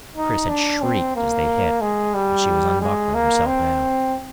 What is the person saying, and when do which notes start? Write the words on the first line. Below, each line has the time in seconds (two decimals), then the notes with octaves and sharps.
Chris had shrieked as they hit, but she was unbuckling herself now.
0.16 D#4
0.49 D4
0.82 C4
1.16 A#3
1.81 G#3
2.14 G3
2.81 G#3
3.14 A#3
3.47 C4